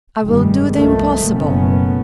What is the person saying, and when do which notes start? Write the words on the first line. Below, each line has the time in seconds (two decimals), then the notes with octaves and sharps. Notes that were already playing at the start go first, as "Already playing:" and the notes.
I will do the impossible.
0.25 F1 G2 D#3 G3 G#3
0.71 C2 D#3 F3 A3
1.27 F#1 F#2 B2 A3 B3 C#4